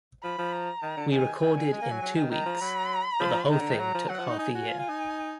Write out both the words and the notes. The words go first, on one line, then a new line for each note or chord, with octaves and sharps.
We recorded in two weeks but the whole thing took half a year.
F3 B5
F3
A#5
D#3
D3
D#3 G#5
D#3 G#5
D3
G#3
A#3
F#3
F#3
D#3
D#3 A#5
F3
F#3 B5
F3
D#3 A#5
D3
D#3
F#3 A#5
F3
F#3 F#5
F3
D#4
D#4 G#5
F#4
F4
F4
D#4